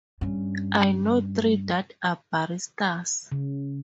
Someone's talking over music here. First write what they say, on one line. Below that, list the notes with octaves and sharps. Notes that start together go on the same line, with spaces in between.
I know three that are baristas.
G2 C#4
C#3